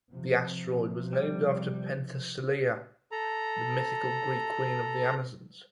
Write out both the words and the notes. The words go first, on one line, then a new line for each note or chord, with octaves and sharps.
The asteroid was named after Penthesilea, the mythical Greek queen of the Amazons.
C3 F3
G3
A4 A#5